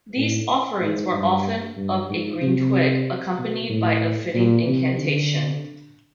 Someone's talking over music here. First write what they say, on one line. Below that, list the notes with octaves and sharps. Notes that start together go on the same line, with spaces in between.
These offerings were often of a green twig, accompanied by a fitting incantation.
A2
G#2
G2
G2
G#2
C3
B2
A2
A#2
C3
D3